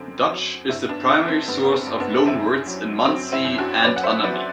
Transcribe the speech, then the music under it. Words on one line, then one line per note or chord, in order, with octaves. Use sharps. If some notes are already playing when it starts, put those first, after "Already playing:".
Dutch is the primary source of loan words in Munsee and Unami.
Already playing: F#2 D3 C4
F#3
G2 C4 E4
B3 D4
D4
D3 C4 E4
C4
G2 B3
B3
C4
G2
B3 D4
F#2 C4 E4
F#3
F#3 C4
C4 E4
F#2
D4 F#4
F#3 B4 D5
F#5
C5 E5
F#3 B4 D5